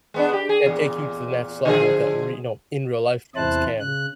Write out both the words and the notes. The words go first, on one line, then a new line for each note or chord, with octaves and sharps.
can't take you to the next level that, re no, in real life friends can,
G#3 B3 D4
G4
G#4
E2 A#2
D3 F3 G#4
E2 C3 E4 C5 A5 F#6
C#3 F#6